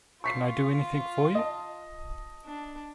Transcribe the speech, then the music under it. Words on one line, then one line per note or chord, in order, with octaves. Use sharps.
Can I do any thing for you?
F4 C#6 B6 C7
D#5 A5
D4